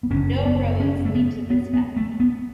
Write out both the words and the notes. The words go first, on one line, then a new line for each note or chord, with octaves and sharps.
No roads lead to this valley.
B3
F#1 F#2 C#3 C#4
B3
C#4
A3
B3
B3
B3
A3
B3